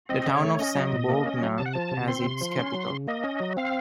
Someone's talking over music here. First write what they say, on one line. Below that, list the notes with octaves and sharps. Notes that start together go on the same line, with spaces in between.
The town of Zamboanga as its capital.
C4 D#5
C#3
C#5
A3
C#5
C#4 D#5
F#3
A#2
A#3
C#4
F#3
C3 A5
F#5
F3 A5
C3
C4 C6
C3
F3
C#4
F#3
C#3
A#3 D#5
C#4
F#3
C4 F5